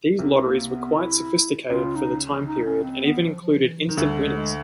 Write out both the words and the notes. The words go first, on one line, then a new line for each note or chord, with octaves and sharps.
These lotteries were quite sophisticated for the time period and even included instant winners.
C2 C3 C4
A#3
B3
E4
C#2 C#3 F4
D#4
D#4
C#4
C4
B3
F3
F3
E3
F3
D#3
D2 D3 G3
G#3
G#3